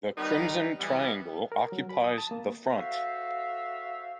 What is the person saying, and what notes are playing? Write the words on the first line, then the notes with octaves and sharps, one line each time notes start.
The crimson triangle occupies the front.
D#3 G3 B3 D#4 A#4 B4
E3 G3 B3
A#4
F#3
B5
D#6
A5
A#3
F#4 A4 C5 E5 F5